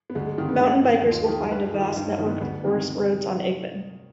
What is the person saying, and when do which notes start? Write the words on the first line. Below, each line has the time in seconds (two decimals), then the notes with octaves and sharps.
Mountain bikers will find a vast network of forest roads on Igman.
0.10 B3
0.15 D2 G#3
0.26 G#3
0.38 C3 D#3 F4
0.49 B3
0.60 G2 D4
0.83 D#3
0.99 D#4
1.05 D#2
1.12 F4
1.24 D#3 G4
1.38 G#4
1.51 G2 B4
1.66 G#4
1.74 D#3
1.81 F4
1.96 G2 D#4
2.19 D#3
2.26 B3
2.41 D2 B3
2.64 C3 D#3